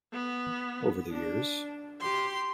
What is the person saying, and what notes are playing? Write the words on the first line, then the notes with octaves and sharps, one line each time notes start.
Over the years.
B3
D4
G4 C6